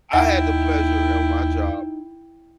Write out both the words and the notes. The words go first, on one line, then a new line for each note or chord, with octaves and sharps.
I had the pleasure at my job
D#2 D#4 E4 E5 F#5 G5